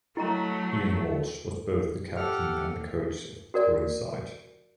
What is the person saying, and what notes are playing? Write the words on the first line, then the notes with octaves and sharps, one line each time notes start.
Ian Walsh was both the captain and the coach of the touring side.
F#3 A3 E4 D#5 A#5
G4 A4 F#5 F6
F#4 A#4 D5